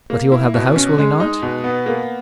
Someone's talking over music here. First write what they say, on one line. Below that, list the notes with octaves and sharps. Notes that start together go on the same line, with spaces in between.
"But he will have the house, will he not?"
A#3
E4
B2
C#4
G#3
D#4
B2
B3
A#3